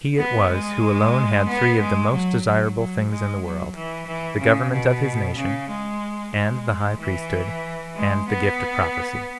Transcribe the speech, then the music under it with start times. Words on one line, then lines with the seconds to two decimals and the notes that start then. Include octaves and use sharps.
He it was who alone had three of the most desirable things in the world,--the government of his nation, and the high priesthood, and the gift of prophecy.
0.18 B3
0.50 G#3
1.48 B3
1.80 G#3
2.12 F#3
2.45 F#3
2.77 F#3
3.10 G#3
3.42 F#3
3.75 E3
4.07 E3
4.39 C#3
4.72 B2
5.37 C#3
5.69 G#3
6.34 G#3
6.99 E3
7.96 G#3
8.29 B3